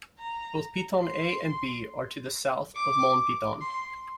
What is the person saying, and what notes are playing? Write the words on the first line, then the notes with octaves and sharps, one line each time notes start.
Both Piton A and B are to the south of Mons Piton.
A#5
C6
D6
C6